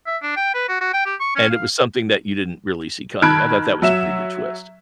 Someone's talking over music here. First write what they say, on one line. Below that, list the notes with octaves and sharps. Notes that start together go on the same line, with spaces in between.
and it was something that you didn't really see coming. I thought that was a pretty good twist.
E5
D4
G5
B4
F#4
F#4
G5
G4
C#6
C#4
F5
D#3 A5 B5 F#6 G#6 D7
F#3 E5 E7